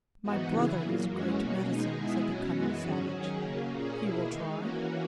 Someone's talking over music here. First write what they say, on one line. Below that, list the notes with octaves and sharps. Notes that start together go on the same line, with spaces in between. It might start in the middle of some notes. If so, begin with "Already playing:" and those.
"My brother is a great medicine," said the cunning savage; "he will try?"
G#2 E3 B3 D#4 F#4
C#3 E3 B3 E4 G#4
A#2 F#3 A#3
F#2 E3 G#3 C#4 F#4
B2 A#3 C#4 F#4
B2 G#3 D#4 G#4
B2 G#3 B3 E4 G#4
B2 F#3 C#4 F#4
F#2 E3 G#3 B3 F#4
G#2 F#3 C#4 F#4
D#3 F#3 C#4 G#4
C#3 F#3 A#3 C#4
A#2 A#3 C#4 G#4
B2 A#3 E4 G#4
D#3 G#3 D#4
E3 A#3 C#4 F#4